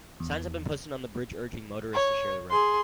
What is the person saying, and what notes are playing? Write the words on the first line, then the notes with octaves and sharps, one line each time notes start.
Signs have been posted on the bridge urging motorists to "share the road".
E2
C#5
G#4 C6